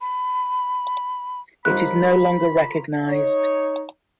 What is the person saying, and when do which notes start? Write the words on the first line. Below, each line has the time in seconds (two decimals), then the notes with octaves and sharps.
It is no longer recognized.
0.01 B5
1.65 F3 G3 A#3 D#4 A#4 C#5 B5 F#6
3.06 D#4 C#5